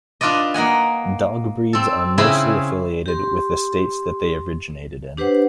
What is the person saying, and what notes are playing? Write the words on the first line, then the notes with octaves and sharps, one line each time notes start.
Dog breeds are mostly affiliated with the states that they originated in.
D4 F4 B4 D5 D#5
A#3 D#5 F#5 G#5
C4 A4
C#3 C4 E4 G#4 B5
G4 C6
D4 G4 B4 C5 F#5